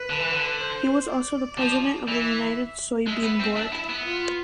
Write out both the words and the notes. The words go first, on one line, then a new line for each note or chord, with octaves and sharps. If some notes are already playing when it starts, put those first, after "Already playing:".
He was also the president of the United Soybean Board.
Already playing: B4
D3
E3
D3
C5
D5
F3
E3 E5
G#3 E5
B3
C4
D4
E4
B3
F4